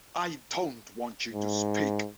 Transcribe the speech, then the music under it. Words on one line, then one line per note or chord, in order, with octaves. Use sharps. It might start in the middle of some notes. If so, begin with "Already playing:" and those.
I don’t want you to speak.
G#2